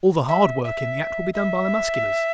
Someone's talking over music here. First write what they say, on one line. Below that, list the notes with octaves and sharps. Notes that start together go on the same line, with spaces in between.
All the hard work in the act will be done by Musculars.
E5
E5
E5